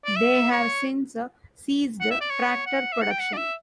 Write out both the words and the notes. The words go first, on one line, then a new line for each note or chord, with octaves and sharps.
They have since ceased tractor production.
D5
E5
C#5
F#5
E5
D5
C#5
F#5
E5
F#5
G5
F#5
D5
E5